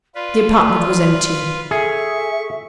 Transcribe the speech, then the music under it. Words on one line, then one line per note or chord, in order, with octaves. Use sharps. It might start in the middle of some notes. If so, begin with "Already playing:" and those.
The apartment was empty.
F4 B4 D5
G#4 A4 E5 C#6